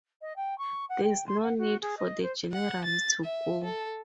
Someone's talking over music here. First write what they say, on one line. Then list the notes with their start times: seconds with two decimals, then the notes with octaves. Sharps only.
There is no need for the General to go.
0.21 D#5
0.36 G5
0.58 C#6
0.89 F#5
1.04 G5
1.27 C6
1.43 F#5
1.58 F#4
1.81 G#4
1.97 D#5
2.22 C5
2.52 F#5
2.85 A6
3.24 E5
3.64 A4